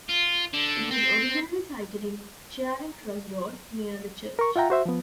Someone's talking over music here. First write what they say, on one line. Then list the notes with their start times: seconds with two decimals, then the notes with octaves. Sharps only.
It was originally sited in Charing Cross Road, near the church.
0.09 F4
0.54 D3
0.91 C4
4.39 A#4 C#6
4.56 F4 E5 F#5 G5 A#5
4.70 F#4 C5 E5
4.86 F3 B3